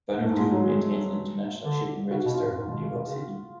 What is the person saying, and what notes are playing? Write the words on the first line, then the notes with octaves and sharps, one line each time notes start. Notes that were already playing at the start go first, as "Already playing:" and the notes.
Vanuatu maintains an international shipping register in New York City.
G#2 A3
G#3
F#3
G#3
G#3
D3
C#3 F#4
B2
F4
A2
F#2
G#2
B2
C#3
B2
C#3